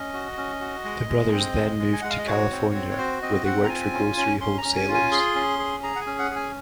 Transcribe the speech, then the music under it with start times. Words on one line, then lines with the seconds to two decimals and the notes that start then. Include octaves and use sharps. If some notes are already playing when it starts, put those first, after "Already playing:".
The brothers then moved to California where they worked for grocery wholesalers.
Already playing: C#4 D#5
0.14 F#4
0.37 C#4
0.61 F#4
0.84 G#3
1.09 G#3
1.32 C4
1.56 G#3
1.79 G#3
1.93 G#5
2.02 G#3 F#5
2.10 F5
2.18 D#5
2.27 F#4 C#5
2.51 C4
2.74 C4
2.90 C#5
2.98 F#4 C5
3.22 C4 D#5
3.45 C4 F#5
3.64 A#5
3.69 F4 G#5
3.93 C#4
4.17 C#4
4.40 C#4 C6
4.58 A#5
4.64 C#4
4.77 G#5
4.88 F4
4.94 G#5
5.12 G#4 C6
5.35 C#4
5.59 G#4
5.83 G#4 A#5
5.96 F#5
6.01 G#5
6.06 C#4
6.19 F#5
6.31 G#4
6.36 G#5